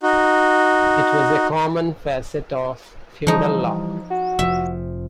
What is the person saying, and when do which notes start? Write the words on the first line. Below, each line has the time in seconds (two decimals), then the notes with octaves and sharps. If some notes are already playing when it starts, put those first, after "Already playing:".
It was a common facet of feudal law.
0.03 D#4 F#4
3.27 E3 F3 G3 D#4
4.11 F#4
4.39 F1 F3 E5